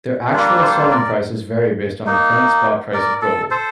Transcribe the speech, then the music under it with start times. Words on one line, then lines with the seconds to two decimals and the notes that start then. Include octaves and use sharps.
Their actual selling prices vary based on the current spot price of gold.
0.33 G3 A#3 D4 F4
0.62 A4 C5
0.91 A#4 D5
2.06 A#3 D#4
2.94 A#4 D5
3.22 A4
3.51 A4 C5